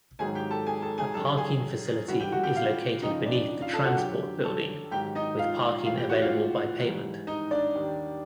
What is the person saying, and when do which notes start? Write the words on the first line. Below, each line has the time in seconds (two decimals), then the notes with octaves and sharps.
A parking facility is located beneath the TransPort building, with parking available by payment.
0.19 G#2 D#3 F#3 G#4 G#5
0.35 G4 G5
0.51 A4 A5
0.67 G#4 G#5
0.82 A4 A5
0.98 G#4 G#5
1.14 F#2 D#3 G3 A4 A5
1.37 G#4 G#5
2.08 G2 E3 G3 F#4 F#5
2.20 G4 G5
2.32 F#4 F#5
2.43 G4 G5
2.55 F4 F5
3.02 F2 C#3 F3 D#4 D#5
3.26 D4 D5
3.62 F4 F5
3.73 A4 A5
3.85 F#4 F#5
3.97 F#2 D3 F#3 G4 G5
4.44 A4 A5
4.91 G#2 D#3 F#3 G4 G5
5.15 D#4 D#5
5.39 F4 F5
5.86 A2 E3 G3 F4 F5
5.97 G4 G5
6.09 F#4 F#5
6.22 F4 F5
6.81 G#2 E3 G3
7.27 D#4 D#5
7.51 D4 D5
7.75 D#2 D#3 G3